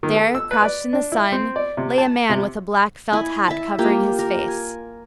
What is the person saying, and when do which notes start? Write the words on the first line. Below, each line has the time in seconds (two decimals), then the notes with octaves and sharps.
There, crouched in the sun, lay a man with a black felt hat covering his face.
0.03 D#3
0.16 A4
0.35 E6
0.51 B4
0.62 D5
0.93 D4
1.12 E4
1.32 C4
1.56 D5
1.77 C3
1.98 A5
2.30 C3
3.12 E4 D#5 G#5 B5
3.48 E5 A5
3.79 A#3 F4 G4
4.19 A#4
4.48 G#5